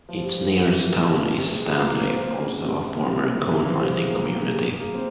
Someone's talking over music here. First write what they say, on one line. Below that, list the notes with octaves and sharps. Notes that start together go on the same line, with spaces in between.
Its nearest town is Stanley, also a former coal mining community.
F3
G3
G3
G3
E3
C3
A#2
C3
A#2
C3
G#3
A#3
C4
A#3
C#3
C3
A#2
C3
C3
C#3
E3
F3
G3
G#3
A#3
G#3
G3
G#3
A#3
C4